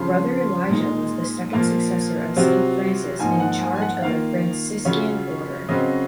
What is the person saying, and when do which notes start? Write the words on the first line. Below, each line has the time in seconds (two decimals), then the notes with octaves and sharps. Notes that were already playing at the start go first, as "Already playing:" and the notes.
Brother Elijah was the second successor of St. Francis in charge of the Franciscan order.
Already playing: C#3 F3 C4 F4 C6
0.69 A#2 G#3 D#4
1.53 A#2 F3 A#3 F4
2.36 C3 F#3 C4 F4
3.19 G#2 F3 A#3 D#4 G#5
3.40 F#5
3.61 G#5
3.76 G#5
3.82 F#5
4.02 D#3 A#3 F4 F5
4.85 C#3 F#3 C#4 F4
5.69 C#3 F#3 C4 D#5